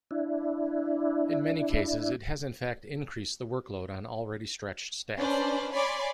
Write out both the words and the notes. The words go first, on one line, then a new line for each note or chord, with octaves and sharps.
In many cases it has in fact increased the workload on already stretched staff.
D4 E4
C#4 D4 B4 C5 D5
C#5 D5 G#5 B5 C6 D6